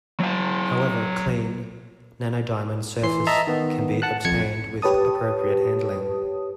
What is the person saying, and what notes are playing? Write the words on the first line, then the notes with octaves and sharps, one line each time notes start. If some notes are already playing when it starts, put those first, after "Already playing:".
However, clean nanodiamond surface can be obtained with appropriate handling.
F#3 F5
E3 C6 C7
D#5 E5 A5 A#5
D#3 B3
F#5 A5 F#6
F2 G#6 C#7
G4 B4 C#5 A5 D#6